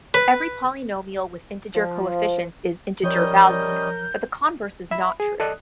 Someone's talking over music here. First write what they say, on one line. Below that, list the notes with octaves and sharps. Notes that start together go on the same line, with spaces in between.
Every polynomial with integer coefficients is integer-valued, but the converse is not true.
B4
F3
F3 G3 C#4 A#4 C#5 D#5 G6
E5 B5
G#4
A4 D5 D#5 D#6 F#6